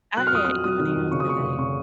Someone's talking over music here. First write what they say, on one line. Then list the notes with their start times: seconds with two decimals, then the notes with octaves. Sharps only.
I had M&M's today.
0.17 F#3 F#6
0.27 F6
0.32 F2 D#6
0.45 F#3 F6
0.64 F#3 D#6
0.80 D#3
0.96 F2
1.11 C#3 C#6
1.20 D#6
1.27 F1 C#6
1.43 F1
1.59 C#3 C#6